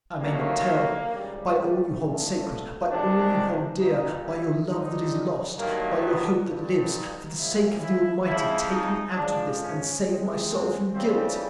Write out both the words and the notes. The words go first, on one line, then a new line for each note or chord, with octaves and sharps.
I may not tell. By all you hold sacred--by all you hold dear--by your love that is lost--by your hope that lives--for the sake of the Almighty, take me out of this and save my soul from guilt!
D#2 D#3 F#3 A3 A#3
G#1 F#2 C#3 E3 G3
A3
G2 D3 F3 A3
C2 C3 D#3 G#3 D4
A#1 A#2 G3 D#4
E4
G#1 G2 D3 G3 D#4
G2 D#3 F#3 A3 A#3
B3
G2 D3 G3
D#4
A#1 A2 F3 G#3 E4
E4
F2 C3 F3 G#3 E4
D#4
G#2 F3 G#3 D4
C#4
E2 C3 D#3 G#3
C4
F2 C#3 E3 G3 C4